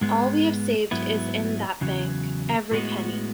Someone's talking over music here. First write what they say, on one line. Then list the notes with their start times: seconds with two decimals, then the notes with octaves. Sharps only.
All we have saved is in that bank — every penny.
0.01 G#2 G#3 B3
0.91 G#2 F#3 B3 E4
1.81 E2 C#3 F#3
2.71 A2 G#3 B3 F#4